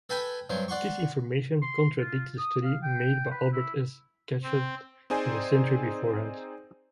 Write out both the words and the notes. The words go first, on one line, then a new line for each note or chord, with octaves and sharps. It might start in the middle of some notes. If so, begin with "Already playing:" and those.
This information contradicts the study made by Albert S. Gatschet in the century beforehand.
A4 B4 G5 G#5 B5
G2 F#3 C4
D5 F#5 C6 C#6
C6
F4
D#6
F5
G5
B4
E4
C4
C4 D#4 G#4 C5 D5 G#5